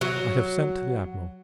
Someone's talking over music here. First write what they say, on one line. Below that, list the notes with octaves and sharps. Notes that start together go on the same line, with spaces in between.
I have sent to the Admiral.
F#3